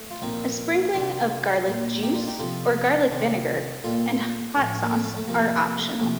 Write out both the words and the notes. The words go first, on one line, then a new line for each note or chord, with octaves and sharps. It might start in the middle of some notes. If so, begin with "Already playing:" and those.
A sprinkling of garlic juice, or garlic vinegar, and hot sauce are optional.
Already playing: A3
F4
A#2 F3 C4 D#4
C3 D#3 G3 D4 F4
A#2 G3
D#4 G4
D4 F4
D#4 G4
C3 F3 F4 A4
C3 D#3 G3
A#2 G3 F4 A4
A2 F3
A#3
A3 C4
A3
A3
C3 F3 A#3
A3
A#3
C3 F3 A3 C4